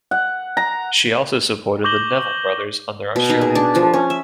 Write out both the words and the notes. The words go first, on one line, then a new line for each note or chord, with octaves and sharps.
She also supported the Neville Brothers on their Australian tour.
F#5
A#5
C#6 D6 G6 A#6 F#7 G7
B2
D#4
G#4
D4
F3
C#4
E5